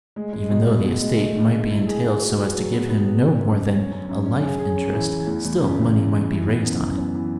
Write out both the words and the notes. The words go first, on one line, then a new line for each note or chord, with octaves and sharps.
Even though the estate might be entailed so as to give him no more than a life-interest, still money might be raised on it.
G#3
G#3
B2
B2
B2
G#3
A3
D3
A3
E4
G#4
G#4
F#4
B4
F#3
B3
B3
B4
D3
F#2
D3
C#4
F#2
F#2
C#4
G#4
G#4
C#4
E3
E3
E2
E2
C#3
E2
C#3
E3
E3
B3
F#2
F#2
B3
E3